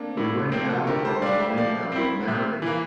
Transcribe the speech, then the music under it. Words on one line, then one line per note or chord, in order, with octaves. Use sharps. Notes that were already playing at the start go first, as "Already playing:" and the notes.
We went out one morning and were married.
Already playing: A3 A#3 C4 D4
A2 A#3
A3
F3 A#3 C4
F4 A4
D3 G4 A#4
A4 C5
G3 D4 D5 F5
E5 G5
F3 D5 F5
C4 E4
C3 C5 E5
E3 A#3